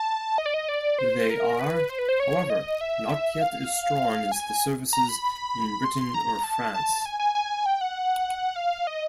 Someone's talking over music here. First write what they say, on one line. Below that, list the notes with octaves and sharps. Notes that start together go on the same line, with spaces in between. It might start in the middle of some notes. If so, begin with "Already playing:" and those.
They are, however, not yet as strong as the services in Britain or France.
Already playing: A5
D#5
D5
D#5
D5
C5
A#4
B4
C5
B4
C5
C#5
D#5
E5
F5
G#5
A#5
B5
C6
A#5
A5
A5
G#5
G#5
G#5
G5
F#5
F5
D#5